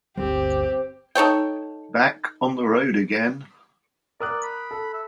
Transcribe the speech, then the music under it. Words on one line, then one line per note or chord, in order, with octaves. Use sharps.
Back on the road again!
G1 D2 G3 C4 G4
D#4 A4 C#5 G5
A#4 D5 D#6 F#6
B5
A4
E5